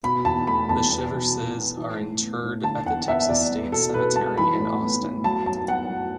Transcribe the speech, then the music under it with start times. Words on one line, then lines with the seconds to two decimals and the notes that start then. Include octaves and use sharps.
The Shiverses are interred at the Texas State Cemetery in Austin.
0.03 B2 B5
0.25 E2 A5
0.47 A3 B5
0.69 E2 A5
0.90 B3
1.13 B2
1.34 B2
1.56 B3
1.77 E3
2.00 A2
2.21 B3
2.43 A2
2.64 D3 A5
2.86 E2 F#5
3.07 B3 E5
3.29 E2 D5
3.50 B3
3.72 B2 A4
3.94 B2 B4
4.16 B3 A5
4.37 E3 B5
4.60 A2
4.81 B3
5.02 A2
5.24 F#3 A5
5.46 F#2 A5
5.68 B3 F#5
5.89 F#2